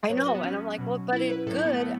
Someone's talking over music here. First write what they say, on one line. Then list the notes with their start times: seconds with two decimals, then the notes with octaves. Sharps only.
I know, and I'm like well, but it's good.
0.09 A2 F#3 C#5
0.18 B4
0.26 F#4
0.35 B3
0.43 C#4
0.78 B2 F#3
1.13 E4
1.30 B4
1.47 A2 F#3 A4
1.56 E4
1.65 B3
1.73 A3
1.81 B3